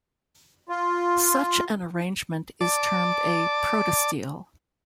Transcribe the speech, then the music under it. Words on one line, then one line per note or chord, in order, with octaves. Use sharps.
Such an arrangement is termed a protostele.
F4
D5 A5 D6